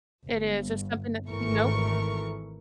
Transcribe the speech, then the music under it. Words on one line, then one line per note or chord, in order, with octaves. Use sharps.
It is, it's something that nope.
G1
G#1 E3 A3 A#4 C#6